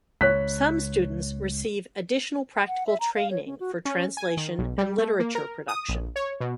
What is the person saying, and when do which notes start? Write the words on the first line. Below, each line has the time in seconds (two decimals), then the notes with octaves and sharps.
Some students receive additional practical training for translation and literature production.
0.21 C#2 C#5 F#6 B6
2.56 G5
2.67 F#5
2.87 E5
3.00 A#5
3.16 F5
3.31 C#5
3.46 C#4
3.60 F#4
3.85 C#4
4.17 G#5
4.37 D#3
4.58 B1
4.78 G3
4.98 A3
5.20 A#3
5.35 A#4
5.68 D#6
5.89 A#1
6.16 C#5
6.40 B2